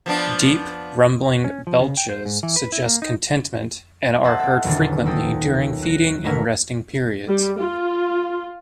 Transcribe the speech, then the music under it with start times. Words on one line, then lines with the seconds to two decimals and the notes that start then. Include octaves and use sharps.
Deep, rumbling belches suggest contentment and are heard frequently during feeding and resting periods.
0.06 F3 B3 D4
1.44 C#4
1.67 F3
1.81 C#3
1.97 G5
2.09 C5
2.25 G#2
2.43 E3
2.56 B4
2.72 E4
2.86 A#3
3.02 D#4
4.24 C5 D#5 E5 F#5 A5
4.39 C4 A4
4.64 D#1 B1 E2 D3 G#4 A6
5.05 D#2 A4 G5 D#6
5.83 F#6 A#6
6.24 G#1 A3 A#4 B4 G#6
7.27 G3
7.60 F4